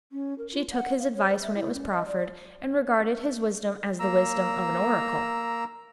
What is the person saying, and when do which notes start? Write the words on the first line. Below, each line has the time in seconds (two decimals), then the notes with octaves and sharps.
She took his advice when it was proffered, and regarded his wisdom as the wisdom of an oracle.
0.12 C#4
0.38 A#4
0.52 F4
0.71 F#5
0.99 F5
1.13 C#5
1.29 C5
1.42 E5
1.55 E4
1.74 C#4
1.90 D#5
2.07 D5
4.00 A#3 A#5 E6